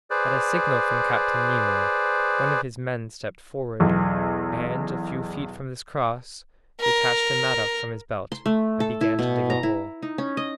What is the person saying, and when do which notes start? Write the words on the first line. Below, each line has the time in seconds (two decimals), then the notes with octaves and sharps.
At a signal from Captain Nemo, one of his men stepped forward and, a few feet from this cross, detached a mattock from his belt and began to dig a hole.
0.11 G#4 B4 C5 D5
3.80 B1 E2
6.81 A#4
8.32 C6
8.46 A3
8.80 A4
9.01 E4
9.19 B2
9.50 A#5
9.63 E4
10.02 D#4
10.18 C#4
10.37 D#5